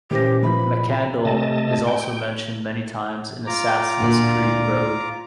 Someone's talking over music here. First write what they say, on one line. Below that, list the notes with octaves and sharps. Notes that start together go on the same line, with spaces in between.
Mackandal is also mentioned many times in "Assassin's Creed Rogue".
A#2 E3 C#4 G4 C5 A#6
F3 E4 B4 B5
C3 A3 D#5 A5
G5
F4 A#5 D6
D2 A#2 D5